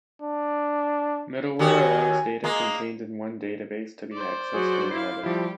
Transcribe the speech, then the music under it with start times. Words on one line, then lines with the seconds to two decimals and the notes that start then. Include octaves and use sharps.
Middleware allows data contained in one database to be accessed through another.
0.22 D4
1.59 D#2 F#4 G4 G#5
2.44 G#3 A#3
4.13 C5 D5
4.54 F#3 F#4 G#4
4.91 E4 F5 C7
5.23 F3 G3 E4 G4